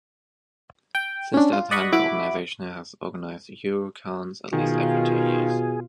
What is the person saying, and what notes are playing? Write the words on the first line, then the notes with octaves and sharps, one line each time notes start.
Since that time, the organisation has organized Eurocons at least every two years.
G5
C#4 D4
F4
D5 D#5 F#5 B5 C#6 D#6
E4 F#4 B5 D6
B2 D#3 F4 G#4